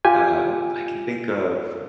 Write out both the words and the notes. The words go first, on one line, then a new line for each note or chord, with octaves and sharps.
uh, I can think of
F4 G4 G#5